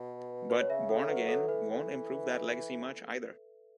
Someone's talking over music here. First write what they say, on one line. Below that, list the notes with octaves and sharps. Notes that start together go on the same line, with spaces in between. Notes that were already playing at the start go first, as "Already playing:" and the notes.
But "Born Again" won't improve that legacy much, either.
Already playing: B2 B4
B4
C#5
C#3 E5
A4
F#3 B4
A4
E3 B4